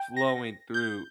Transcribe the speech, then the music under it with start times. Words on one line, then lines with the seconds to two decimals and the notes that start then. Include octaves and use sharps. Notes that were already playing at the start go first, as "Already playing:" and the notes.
flowing through
Already playing: G5
0.17 A#6
0.74 G6